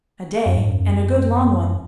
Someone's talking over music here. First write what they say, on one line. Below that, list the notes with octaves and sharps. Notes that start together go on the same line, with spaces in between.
"A day, and a good long one."
F#2
G#2
F#2
F#2